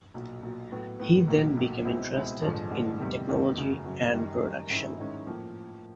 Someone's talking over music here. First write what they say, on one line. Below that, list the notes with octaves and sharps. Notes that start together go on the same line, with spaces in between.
He then became interested in technology and production.
B1 A#2 F#3
B1 A#2 F#3
A2 F#3 B3
A2 F#3 B3
B1 A2 F#3 A#3
B1 A2 F#3 A#3
C#2 B2 G#3 C4 E4
C#2 B2 G#3 C4 E4
A1 G2 D3 F3 G#3
A1 G2 D3 F3 G#3
F1 E2 C3 D#3 G3
F1 E2 C3 D#3 G3
F#2 C#3 F#3
F#2 C#3 F#3
F#2 D#3 G3
F#2 D#3 G3
G#2 D#3 G#3 C#4 E4
G#2 D#3 G#3 C#4 E4
A2 F3 A#3